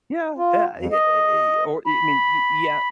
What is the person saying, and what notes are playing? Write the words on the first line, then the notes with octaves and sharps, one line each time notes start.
Yeah, yeah, I yea eh eh or e mean y yeah,
F4
F2
D#5
B5